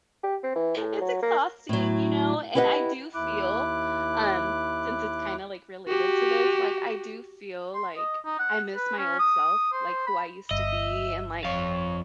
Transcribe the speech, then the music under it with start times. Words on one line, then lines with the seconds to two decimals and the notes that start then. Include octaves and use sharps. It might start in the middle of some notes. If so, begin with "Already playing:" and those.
It's exhausting, you know? And I do feel, um, since it's kinda, like, related to this, like, I do feel, like, I miss my old self, like, who I used to be and, like,
0.23 G4
0.43 C4
0.55 E3
0.77 A2
1.01 F#3
1.22 A#3
1.69 A2 F#3
2.55 E4 G4 B4 D#5 E5 F#5
3.14 D#2 E4 D6 F#6
5.88 F#4 G4
7.74 C6
7.96 D#5
8.25 D#4
8.39 F#5
8.76 B4
8.98 C#4
9.19 D#6
9.72 C5
10.07 B5
10.51 G1 D#5 E5
11.45 F2 C#5 F5